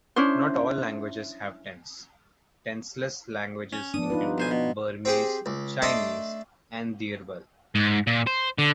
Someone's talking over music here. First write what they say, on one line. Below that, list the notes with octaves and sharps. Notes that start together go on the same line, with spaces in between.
Not all languages have tense: tenseless languages include Burmese, Chinese and Dyirbal.
C#4 D4 E4 C5
C#4
F3 B3 D4 D#6
D#4 F4 B4
B1 C5 G#5
B2
C4 G4 G#4
C#2
A3 D4 A4 D#5 C6 D6
G#2
A#2
C5
D3